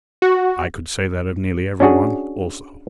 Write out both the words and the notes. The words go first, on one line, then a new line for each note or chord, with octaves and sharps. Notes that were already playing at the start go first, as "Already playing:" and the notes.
"I could say that of nearly every one, also."
F#4
C#4 D4 F#4 G#4